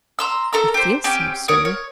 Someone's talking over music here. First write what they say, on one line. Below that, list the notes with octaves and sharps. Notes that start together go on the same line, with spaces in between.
"I feel so, sir."
A#5 C6 E6
A4 A#4 A#5 E6
G4 C5
C4 C#4 G4 G5
A#4 C#5 D#6
C#5